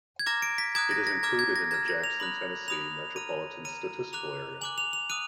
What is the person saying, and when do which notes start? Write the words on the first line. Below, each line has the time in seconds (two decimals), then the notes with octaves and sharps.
It is included in the Jackson, Tennessee Metropolitan Statistical Area.
0.19 G#6
0.26 A#5 D6 F6 A#6
0.42 D7
0.58 B6
0.75 A#5 D#6 F#6 G#6
0.91 A#6
1.07 A#6
1.23 A#5 D6 F6 G#6
1.39 G#6
1.56 A#6
1.71 A#5 F6 G#6
1.88 A#6
2.04 F7
2.20 B5 D#6 F#6 F#7
2.68 B5 D#6 F#6 F7
3.16 A#5 F6 D#7
3.65 A#5 F6 D#7
4.13 A#5 D6 F#6 F7
4.61 G#5 D6 F#6 F#7
4.78 F7
4.93 F7
5.10 D#6 F#6 D#7